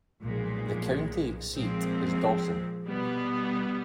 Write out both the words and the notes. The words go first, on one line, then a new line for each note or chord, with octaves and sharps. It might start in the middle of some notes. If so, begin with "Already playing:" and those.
The county seat is Dawson.
B1 A#2 F3 G#3
A#2 F3 G#3 C4
B2 G3 B3